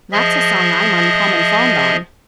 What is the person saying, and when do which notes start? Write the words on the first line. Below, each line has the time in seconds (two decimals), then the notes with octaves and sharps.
"That's a song I'm uncommon fond on."
0.12 F3 G#4 D#5 E5